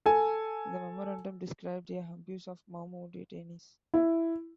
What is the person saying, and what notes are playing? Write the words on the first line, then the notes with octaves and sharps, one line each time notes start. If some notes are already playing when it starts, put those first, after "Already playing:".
The memorandum described the abuse of Mau Mau detainees.
A4 G#5
E4